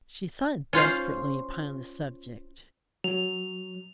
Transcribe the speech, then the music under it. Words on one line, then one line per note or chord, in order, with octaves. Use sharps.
She thought desperately upon the subject.
C#4 F4 C5 F5
F#3 F7